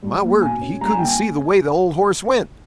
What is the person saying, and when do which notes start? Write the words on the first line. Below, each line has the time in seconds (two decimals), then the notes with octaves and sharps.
My word, he couldn't see the way the old horse went.
0.03 G3
0.22 A#3
0.41 B2 G#5
0.61 C#4
0.81 G3 A#5
0.90 G#5
0.99 A#3 G5
1.08 G#5